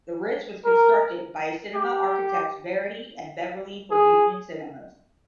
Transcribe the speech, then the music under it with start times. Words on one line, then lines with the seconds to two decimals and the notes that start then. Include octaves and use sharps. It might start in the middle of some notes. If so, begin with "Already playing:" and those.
The Ritz was constructed by cinema architects Verity and Beverley for Union Cinemas.
0.65 A#4
1.74 G4
3.91 G#4